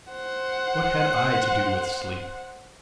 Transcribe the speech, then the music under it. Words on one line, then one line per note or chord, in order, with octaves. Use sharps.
What had I to do with sleep?
C5 F#5